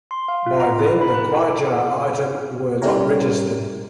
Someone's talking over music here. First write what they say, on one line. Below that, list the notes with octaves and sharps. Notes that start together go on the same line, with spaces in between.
By then the Qajar item were not registered.
C6
F5
F4
A#5
E4
B5
B4
G3 C#4 E4 G4 A#4 C#5